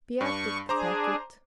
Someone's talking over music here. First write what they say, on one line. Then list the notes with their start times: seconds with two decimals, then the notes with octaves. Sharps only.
Pierre took the packet.
0.21 G2 D4 C#6
0.69 D4 G#4 C5 A#5 D6